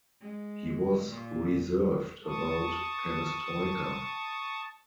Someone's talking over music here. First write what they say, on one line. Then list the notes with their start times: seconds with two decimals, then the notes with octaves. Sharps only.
He was reserved about perestroika.
0.21 G#3
1.09 A#2
2.24 A5 C#6 D#6